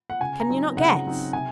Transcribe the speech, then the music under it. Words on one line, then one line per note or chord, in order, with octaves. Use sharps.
Can you not guess?
F#5
C#3 G#5
A#5
F#3 C4 D#4
C#3 F#5
F#3 C4 D#4
C3 G#5